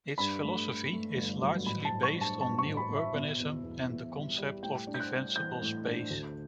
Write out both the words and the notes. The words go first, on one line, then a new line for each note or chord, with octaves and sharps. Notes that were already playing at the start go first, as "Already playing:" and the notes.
Its philosophy is largely based on New Urbanism and the concept of Defensible space.
G2 B5
A3
A3
A3
G1
F#3
A1 B5
A5
A1
C#6
G2
A5
G2 A5
C#6
A1
B5
A1
E5
B2
E2
E2
E2
G3
G3
A2 G5
D4
G6
F#6
G3
E3 G6
A2
D4
D2